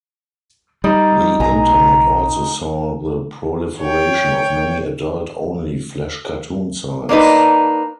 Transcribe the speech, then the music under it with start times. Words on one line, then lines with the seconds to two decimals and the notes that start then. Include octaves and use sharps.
The Internet also saw the proliferation of many adult-only Flash cartoon sites.
0.84 G3 D#4
1.40 B1 G#5 A#5
3.80 C#5 G5
7.09 A#3 D4 D#4 B4